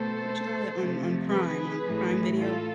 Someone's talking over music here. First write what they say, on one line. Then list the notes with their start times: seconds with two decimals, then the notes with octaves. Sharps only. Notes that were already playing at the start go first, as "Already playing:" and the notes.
what you call it? On on Prime on Prime Video.
Already playing: B2 A3 A4 C5
0.79 C3 F3 A3
1.31 G#4 B4
1.84 A2 E3 A3
2.37 F4 A4